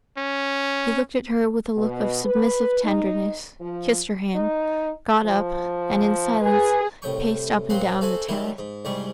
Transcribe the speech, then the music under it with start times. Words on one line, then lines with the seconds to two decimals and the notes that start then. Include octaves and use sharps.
He looked at her with a look of submissive tenderness, kissed her hand, got up, and, in silence, paced up and down the terrace.
0.18 C#4
1.77 B2
2.24 B4
2.85 D#4
3.61 F3
4.36 D#4
5.26 F3
6.41 G#4 B4
7.02 C2 A2 G5 C#6
7.70 A#2 F#3 C4 F#5 B5 C6
8.01 F#4 A4 C5 E5 F#5 G#5
8.29 D#3 F#3 G3 D#4 E4
8.58 G#2
8.85 C2 G#2 G3 G#4 C#6